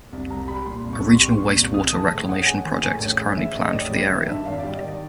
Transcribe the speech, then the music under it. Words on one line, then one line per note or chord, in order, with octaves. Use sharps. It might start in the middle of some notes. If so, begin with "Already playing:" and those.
A regional wastewater reclamation project is currently planned for the area.
C2
C2 A#5
G3 B5
A#2 C6
C2
C#6
C2
C6
G3 C#6
A#2
C2
G#3 D#6
E3 A5
A2
A1 F#5
G#3 G#5
E3 G#5
A2 G#5
A1
G#3
E3 E5
A2 D#5
D#5
A1 D5
G3 D#5
D#3 E5
G2 E5
G#1 F5
G3 D5
D#5
D#3
D5